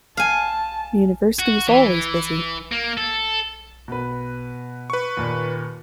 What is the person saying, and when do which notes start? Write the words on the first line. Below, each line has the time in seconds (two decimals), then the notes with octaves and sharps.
The university is always busy.
0.17 F5 G#5 A5
1.39 F#4
1.67 E3
2.72 A#3
2.98 A4
3.88 B2 B4
4.90 B4 C#6
5.17 D#2 A#2